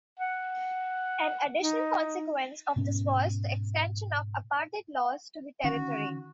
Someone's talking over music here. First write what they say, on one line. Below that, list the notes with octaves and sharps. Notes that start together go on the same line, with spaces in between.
An additional consequence of this was the extension of apartheid laws to the territory.
F#5
D#4
G#2 B2 B3 C#4
D3 D#3 C#4 F#4